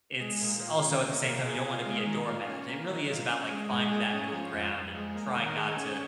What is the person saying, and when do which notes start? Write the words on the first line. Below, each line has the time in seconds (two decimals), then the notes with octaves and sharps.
It's also, at the same time, you don't want be a doormat. It really is about like finding that middle ground and trying not to
0.20 G#3
0.41 A#2
0.62 F4
0.82 C#4
1.03 A#3
1.24 A#2
1.44 G#4
1.65 F4
1.86 G#3
2.06 D#3
2.27 F4
2.48 C#4
2.68 A#3
2.89 D#3
3.09 F4
3.30 C#4
3.50 G#3
3.71 G#2
3.92 G#4
4.13 C#4
4.32 F3
4.53 F2
4.74 F2
4.95 G#3
5.15 A#3
5.36 D#3
5.57 G#4
5.77 C#4